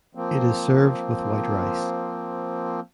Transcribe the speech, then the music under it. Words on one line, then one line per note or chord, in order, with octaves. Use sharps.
It is served with white rice.
F3 A#3 C4